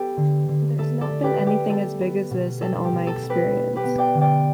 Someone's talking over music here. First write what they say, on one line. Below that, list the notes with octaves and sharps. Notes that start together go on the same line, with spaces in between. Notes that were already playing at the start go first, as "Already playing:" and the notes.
There's not been anything as big as this in all my experience.
Already playing: B3 G4 A4 B4
D3
D3
A3 A4
A4 D5
A3
G4 B4
A3
G4
B3 A4
B3
B2
G3 A4
G4
B2
A4
B3
G4 B4
B3
G4 B4
B3
D5 G5
D3
D5 G5